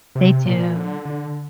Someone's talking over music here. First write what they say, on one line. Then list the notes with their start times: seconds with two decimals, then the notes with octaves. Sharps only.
They do.
0.15 C3
0.45 A#2
0.75 D3
1.05 D3